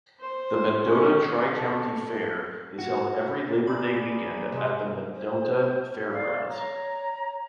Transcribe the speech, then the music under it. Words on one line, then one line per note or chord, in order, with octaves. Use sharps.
The Mendota Tri-County Fair is held every Labor Day weekend at the Mendota Fairgrounds.
C5
C#4
A4
F#4
G#4 A#4 D5 B5
C3 G#3 E6
C5
D5 F5
C#5 A#5